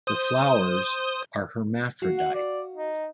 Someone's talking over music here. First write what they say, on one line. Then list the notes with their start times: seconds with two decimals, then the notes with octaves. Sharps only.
The flowers are hermaphrodite.
0.07 C5 D#6 G6
2.02 F#4 F5
2.18 F#5
2.34 D5
2.75 D#4